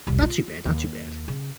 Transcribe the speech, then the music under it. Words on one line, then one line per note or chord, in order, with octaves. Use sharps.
Not too bad. Not too bad.
E1 C2
F4
D#2
C#3